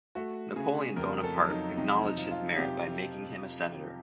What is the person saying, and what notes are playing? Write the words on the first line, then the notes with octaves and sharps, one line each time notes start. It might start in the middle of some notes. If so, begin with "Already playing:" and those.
Napoleon Bonaparte acknowledged his merit by making him a senator.
A3 F#4
C#3 G#4
F2 A#4
A4
F#3
D#4
C3 D#4
D#4
F3
F4
C3 G4